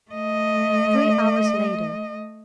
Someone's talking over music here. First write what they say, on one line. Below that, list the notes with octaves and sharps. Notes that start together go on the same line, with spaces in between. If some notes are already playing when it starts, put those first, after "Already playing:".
Three hours later.
A3 D#5